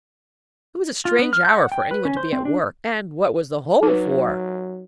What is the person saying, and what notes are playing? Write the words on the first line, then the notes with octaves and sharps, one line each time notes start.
It was a strange hour for any one to be at work, and what was the hole for?
F4
B3
F6
G6
F#5
G5
B4
C#4
C5
C4
D4
F#3 D#4 B4